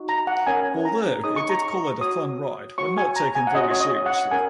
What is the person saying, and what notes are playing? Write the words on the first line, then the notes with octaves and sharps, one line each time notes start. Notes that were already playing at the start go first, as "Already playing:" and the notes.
Although, it did call it a fun ride when not taken very seriously.
Already playing: D#4 F#4
A#5
F#5
C#4 A#4 C#5 G#5
A#5
D#4 G#4 C#5 D#6
C#6
A#5
C#6
F#4 C#5 D#6
F#4 C#5 C#6
G#5
A#5
G#5
F#5
C#4 F#4 C#5 D#5
C#5
D#5
F#5
C#4 A#4 C#5 G#5